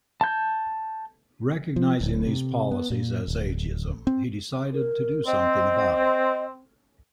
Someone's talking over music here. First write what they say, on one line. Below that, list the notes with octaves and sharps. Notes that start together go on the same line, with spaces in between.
Recognizing these policies as ageism, he decided to do something about it.
A5 G6
F3
D1
C3
B3
A#2
D1
C4
A#4
C4 D#5